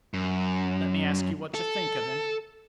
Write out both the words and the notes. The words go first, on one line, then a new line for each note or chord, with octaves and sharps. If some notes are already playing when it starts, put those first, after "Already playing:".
Let me ask you what you think of him?'
F#2
A4